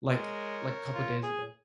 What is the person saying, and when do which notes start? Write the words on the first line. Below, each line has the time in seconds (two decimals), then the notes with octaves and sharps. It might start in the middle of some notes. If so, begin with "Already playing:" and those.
like like, couple days ago.
0.11 G#3 A#4 C#5
0.95 F4
1.23 G#4